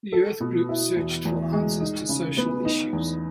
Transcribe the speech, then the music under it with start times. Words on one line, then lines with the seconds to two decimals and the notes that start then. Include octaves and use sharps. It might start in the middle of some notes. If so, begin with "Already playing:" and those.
The Earth group searched for answers to social issues.
0.12 A4
0.40 B2
0.69 E4
0.97 E2
1.25 E2
1.53 G#3
1.81 D#4
2.09 C#3
2.37 B3
2.65 D#4
2.93 E2